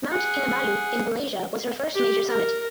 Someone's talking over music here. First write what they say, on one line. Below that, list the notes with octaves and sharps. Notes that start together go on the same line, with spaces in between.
Mount Kinabalu in Malaysia was her first major summit.
G#4 F#5
G4
A#4